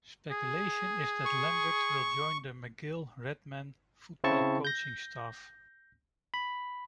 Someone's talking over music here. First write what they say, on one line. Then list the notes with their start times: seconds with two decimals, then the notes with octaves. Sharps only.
Speculation is that Lambert will join the McGill Redmen Football coaching staff.
0.31 G#4
1.25 C#6
4.24 C#3 C4 E4 A5 C#6
4.65 G6 A#6
6.34 B5